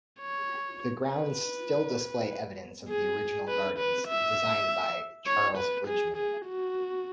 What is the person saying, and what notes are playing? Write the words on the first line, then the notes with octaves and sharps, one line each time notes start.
The grounds still display evidence of the original gardens, designed by Charles Bridgeman.
C#5
B4
G#4
B4
B4
E5
C#5
B4
G#4
G#4
F#4